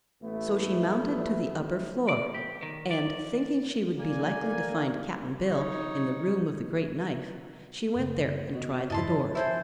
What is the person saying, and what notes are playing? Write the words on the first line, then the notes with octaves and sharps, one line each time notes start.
So she mounted to the upper floor, and thinking she would be likely to find Cap'n Bill in the Room of the Great Knife she went there and tried the door.
A1 A3 B3 E4
D5
G4
D#3
D5
D3 A#3 A#4 D5 G#5
D#4 C#5
F#2 C#3
B3 F#4 D#5
E2 G2 C#3 E4 D#5 A5 C6
F3 C#5
E4 A4 C5 G#5